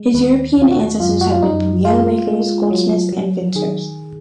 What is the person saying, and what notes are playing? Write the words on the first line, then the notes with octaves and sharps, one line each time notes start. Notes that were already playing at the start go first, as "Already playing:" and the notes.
His European ancestors had been piano makers, goldsmiths, and vintners.
Already playing: G#3
D#2 B4
D#2 F4
F#4
F#2 F4
F#4
F4
F#2 D#4
G#3 F4
G#3
F#3
F#3
D#3 G#4